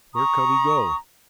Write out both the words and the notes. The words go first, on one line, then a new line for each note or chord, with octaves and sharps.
Where could he go?
A#5 C#6 D#6